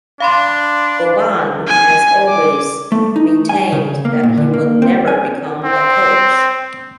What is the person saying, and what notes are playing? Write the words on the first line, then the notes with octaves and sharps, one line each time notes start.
Boban has always maintained that he will never become a coach.
D4 F5 B5 C6
G#5
D6
A3
D#4
G#5
C#3
A#3
A#2
D3
A#3
C4
G#5
C4